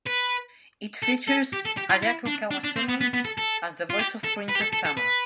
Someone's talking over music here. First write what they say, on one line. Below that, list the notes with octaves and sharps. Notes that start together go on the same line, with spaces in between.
It features Ayako Kawasumi as the voice of Princess Tama.
B4
A4
A4
G4
A4
G4
F4
E4
D4
D4
D4
C4
B3
B3
B3
A4
A4
F4
G4
A4
B4
G4
A4
A4
A4
B4